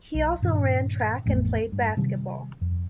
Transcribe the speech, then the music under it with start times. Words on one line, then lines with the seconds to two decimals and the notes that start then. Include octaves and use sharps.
He also ran track and played basketball.
0.14 B1
0.42 G2 A#2 D#3
1.26 A1 F2 A3 B3
1.72 G2
1.97 C3 D#3 G3
2.61 F2